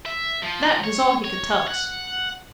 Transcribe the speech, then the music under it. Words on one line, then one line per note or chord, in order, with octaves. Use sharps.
That was all he could tell us.
E5
F3
C#5
C#5
F#5